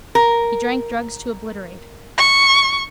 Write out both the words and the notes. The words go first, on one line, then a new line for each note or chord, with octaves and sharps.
He drank drugs to obliterate.
A#4
C#6